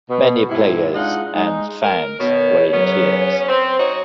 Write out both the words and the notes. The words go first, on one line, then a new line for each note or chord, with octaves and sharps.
Many players and fans were in tears.
B2
G#2 C3 E4
G#3 D4 D#4 F4 D#5 F#5
G#3 D#4
A#4
B2 D#3 B3 C#5
F#2 C#3 F#3 B3 C#4
C4 C5
D#4 F#4 C#5